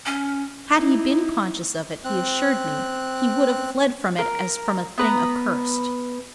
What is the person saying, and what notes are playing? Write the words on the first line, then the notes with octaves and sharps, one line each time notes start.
Had he been conscious of it, he assured me, he would have fled from it as from a thing accursed.
C#4
D#4 E4
C4 F#6
A#4
B3 B4 A#5